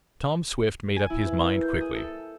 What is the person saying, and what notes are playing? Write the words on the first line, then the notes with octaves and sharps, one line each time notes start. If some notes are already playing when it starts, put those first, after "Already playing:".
Tom Swift made up his mind quickly.
G#5
E4
B4
A#3
G6
G#4
A4